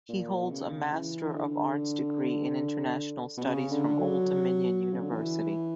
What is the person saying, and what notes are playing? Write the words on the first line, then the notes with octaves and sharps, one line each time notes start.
He holds a Master of Arts Degree in International Studies from Old Dominion University.
A#2
B2
C#3
E3
E3
D3
B2
C#3
D3
F#3
C#3
D3
E3